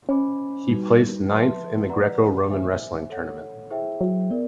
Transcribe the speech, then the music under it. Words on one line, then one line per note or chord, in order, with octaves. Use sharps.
He placed ninth in the Greco-Roman wrestling tournament.
C#4 C5 D#5 G#5 B5 D6
G3 D#4 F#4 B4
F#3 B4 E5 A5 C6
F3
B4 D5 F#5 A#5
C5 E5 G#5
E3 A4 C#5 F#5
F3
F#3 E4 G#4 C5 E5 G5
F#3
B3 A#4 D5